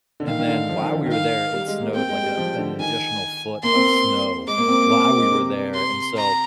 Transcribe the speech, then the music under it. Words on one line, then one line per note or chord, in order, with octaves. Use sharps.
and then while we were there, it snowed like a an additional foot of snow while we were there and, so,
D3
D#3 F5
D#3
D3
F3
D#3
D3
D#3
F5
G3
G#3
A#3
C4 G5
G#3
G3
F3
D3
D#3 G#5
A#3 C6
C4
A#3
G#3 D6
A#3
C4
A#3
C4
A#3
C4
G#3
C3
C6
A#5